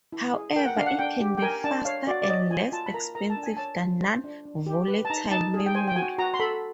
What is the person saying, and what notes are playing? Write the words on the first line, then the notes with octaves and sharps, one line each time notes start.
However it can be faster and less expensive than non-volatile memory.
E4
G#4
A#4 G5
F#5
D4 F5
F#5
D4 G5
G4
G5
A#4 G#5
D4 A5
C#5 F5
F#4 D5
D5
C#5 D#5
F4 G#5
F4 A5
B5
A#4 A#5
A#4 A#5
A5
D4
G#5
C#5 A5
F4
C5
D4
D4
G4
B4
A5
D#4 A#5
D#4 A5
G#4
G5
C5 G#5
G5
F#4 G#5
F#4 A#5
C6
A4 B5